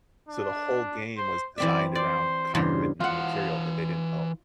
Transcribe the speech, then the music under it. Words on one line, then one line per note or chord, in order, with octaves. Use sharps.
So, the whole game was designed around copywritten material that they didn't own.
D4
C5
E3 C4 D5 E5
C5 D5
E2 G2 C#3 C5
E3 F4 F5 F#5